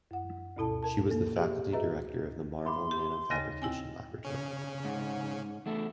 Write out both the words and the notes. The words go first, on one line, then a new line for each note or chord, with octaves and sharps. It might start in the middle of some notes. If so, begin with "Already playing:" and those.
She was the faculty director of the Marvell Nanofabrication Laboratory.
F#2 F#5
D2 G2 B2 E4 A4 A5
A#4 A5
A#3 A4
G4 G#4 E5
F#4 G#4 B4 D#5 E5 A#5
E5 B5 C6 D6
G4
D#2 C#3 D#5 G#5 A6 A#6
C4 E4 G5 G#5
C#3 C#4
G#2
E2 A3